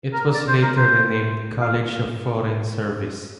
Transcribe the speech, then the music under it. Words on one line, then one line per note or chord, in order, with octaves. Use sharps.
It was later renamed College of Foreign Service.
A#4
D5
C5
A#4
C5
F5